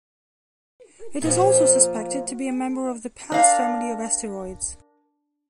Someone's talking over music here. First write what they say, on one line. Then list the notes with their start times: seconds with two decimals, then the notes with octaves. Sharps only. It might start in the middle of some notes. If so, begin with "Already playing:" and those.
It is also suspected to be a member of the Pallas family of asteroids.
1.22 A#2 F3
3.32 D4 A#4 F5